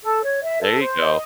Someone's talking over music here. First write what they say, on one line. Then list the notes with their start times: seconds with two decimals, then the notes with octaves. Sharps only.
There you go.
0.02 A4
0.22 C#5
0.42 E5
0.61 A4
0.80 C5
1.00 D#5